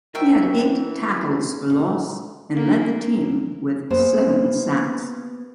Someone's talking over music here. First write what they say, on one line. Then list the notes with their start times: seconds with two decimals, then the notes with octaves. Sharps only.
He had eight tackles for loss and led the team with seven sacks.
0.15 C2 F#4 A#4 D#5 E5 G5
0.57 E3 A#3 D4
1.70 D2 A#2
2.55 A#3
3.90 A#3 B3 G4 G#4 C5